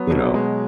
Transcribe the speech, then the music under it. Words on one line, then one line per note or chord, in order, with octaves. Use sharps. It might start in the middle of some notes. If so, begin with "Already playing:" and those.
you know,
Already playing: F#3 B3
B2
G#3